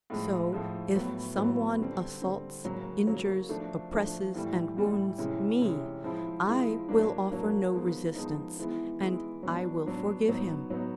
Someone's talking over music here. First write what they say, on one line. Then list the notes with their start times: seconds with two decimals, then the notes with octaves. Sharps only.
So if someone assaults, injures, oppresses and wounds me, I will offer no resistance, and I will forgive him.
0.10 A2 F3 G#3
0.53 A2 F3 G#3
0.95 A2 F#3 B3
1.37 A2 F#3 B3
1.79 D3 G3 C4
2.22 D3 G3 C4
2.64 C#3 F#3 A#3
3.07 C#3 F#3 A#3
3.49 F3 A3 D4
3.91 F3 A3 D4
4.34 A2 E3 G3
4.77 A2 E3 G3
5.18 C3 E3 G#3 C#4
5.61 C3 E3 G#3 C#4
6.04 F3 G#3 C4 E4
6.47 F3 G#3 C4 E4
6.89 F#3 A#3 D4
7.31 F#3 A#3 D4
7.73 F3 G#3 B3 D#4
8.15 F3 G#3 B3 D#4
8.58 E3 G#3 B3 E4
9.01 E3 G#3 B3 E4
9.43 F#3 B3 D4
9.86 F#3 B3 D4
10.29 F#3 B3 D#4
10.70 F#3 B3 D#4